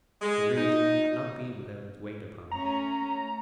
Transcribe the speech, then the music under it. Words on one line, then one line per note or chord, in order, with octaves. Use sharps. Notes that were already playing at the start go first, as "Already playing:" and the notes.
His reasoning had not been without its weight upon her.
G#3
D#4
A3 C#4 A#5